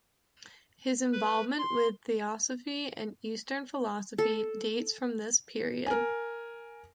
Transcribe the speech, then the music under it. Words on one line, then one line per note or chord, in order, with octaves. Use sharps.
His involvement with theosophy and Eastern philosophy dates from this period.
B4
C6
A4
A#4 G#5